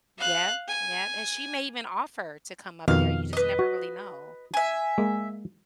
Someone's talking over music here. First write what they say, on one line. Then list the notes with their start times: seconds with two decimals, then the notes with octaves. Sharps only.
yep, yep, and she may even offer to come up there, you just never really know.
0.18 F5 F#6
0.68 G#5
2.88 F2 B2 D#3 F5
3.33 B4 D#5
3.59 F#4
4.54 E5 G#5
4.98 G#3 A#3